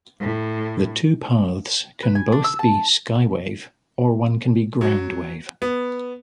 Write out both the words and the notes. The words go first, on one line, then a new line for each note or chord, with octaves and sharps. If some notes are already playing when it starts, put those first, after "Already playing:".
The two paths can both be skywave or one be groundwave.
A2
B4
G#5
D4
E6
A5
F#3
B3